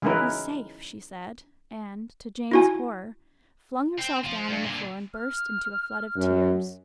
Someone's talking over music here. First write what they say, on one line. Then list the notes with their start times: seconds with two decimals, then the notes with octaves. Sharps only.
'HE'S safe!' she said, and, to jane's horror, flung herself down on the floor and burst into floods of tears.
0.02 E3 G#3 C#4 E4 A#4 B4
2.51 E4 F#4 G#5
3.99 C4
4.25 F3
4.49 G2
4.64 A#2 D3
5.14 F6
6.16 F#2